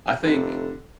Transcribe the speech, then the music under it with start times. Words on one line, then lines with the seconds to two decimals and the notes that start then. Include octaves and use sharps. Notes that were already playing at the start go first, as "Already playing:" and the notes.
I think
0.22 F1 D3